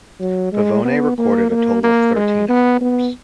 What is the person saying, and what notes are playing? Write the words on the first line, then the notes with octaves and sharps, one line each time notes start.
Pavone recorded a total of thirteen albums.
F#3
G#3
B3
A#3
A#3
A#3
G#3
B3
B3